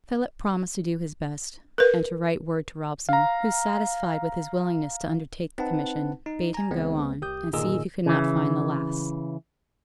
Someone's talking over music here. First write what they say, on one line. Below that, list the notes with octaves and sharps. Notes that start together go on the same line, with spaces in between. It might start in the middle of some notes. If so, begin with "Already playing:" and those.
Philip promised to do his best, and to write word to Robson, who, satisfied with his willingness to undertake the commission, bade him go on and see if he could not find the lass.
A#4 B4
F5 A#5
C4 D#4 B4 F#5 A5
D#4
G#5 A#5
C#2 G#3 B3 C4
C2 G4 D#6 G6
G1 A#2 D#3 G#4 D#5 E6
C#3 E3